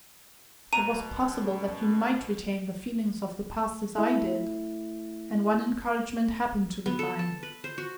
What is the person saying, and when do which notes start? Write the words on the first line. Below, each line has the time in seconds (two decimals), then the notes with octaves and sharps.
It was possible that you might retain the feelings of the past, as I did; and one encouragement happened to be mine.
0.73 F#2 B2 A#5 D#7
3.95 A3 E4
6.86 B3
6.99 A4
7.19 A5
7.43 B4
7.64 C5
7.78 F#4